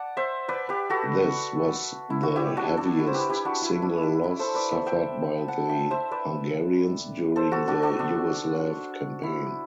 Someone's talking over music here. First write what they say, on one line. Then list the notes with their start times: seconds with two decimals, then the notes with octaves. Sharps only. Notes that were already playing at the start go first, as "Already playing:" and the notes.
This was the heaviest single loss suffered by the Hungarians during the Yugoslav campaign.
Already playing: D5 F#5 A5
0.17 C5 E5
0.48 B4 D5
0.69 G4 B4
0.90 F#4 A4
2.10 E4
2.23 F#4
2.36 E4 G4
2.57 D4 F#4
2.77 D4
2.99 E4
3.07 C5
3.14 G4 B4
3.29 E4 G4
3.45 D4 F#4
3.62 E4
3.82 D4
4.03 E4
4.24 E4
4.39 A4 C5
4.55 B4 D5
4.71 C5 E5
4.86 E5 G5
5.48 F#5 A5
5.69 E5 G5
5.91 C5 E5
6.11 B4 D5
7.36 A4 C5
7.52 F#4 A4
7.68 D4 F#4
7.83 D4 F#4
7.99 D4
9.23 E4